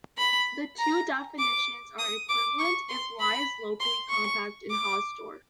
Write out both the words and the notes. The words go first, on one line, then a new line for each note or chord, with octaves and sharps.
The two definitions are equivalent if Y is locally compact and Hausdorff.
B5
A#5
D6
D#6
D6
C#6
C6
B5
C6
C#6
D6